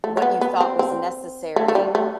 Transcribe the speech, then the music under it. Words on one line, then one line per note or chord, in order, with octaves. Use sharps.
what you thought was necessary,
A3
A3
B3
B3
C4
C4
A3
A3
G3
A3